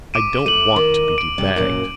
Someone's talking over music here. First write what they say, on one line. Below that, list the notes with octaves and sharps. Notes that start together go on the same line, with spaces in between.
I don't want to be debagged!
D6 D7 D#7
A3 D#7 F#7
D#3
D7
C3 G3
F#2 A#2 F#3